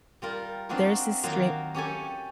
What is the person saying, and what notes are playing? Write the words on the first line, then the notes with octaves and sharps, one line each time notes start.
there's this stream
G3 F4 A#4
C4 D4 D#4 F4 F#4
D#3 F#3 A#3 F4
C#4 G4 A4 G#5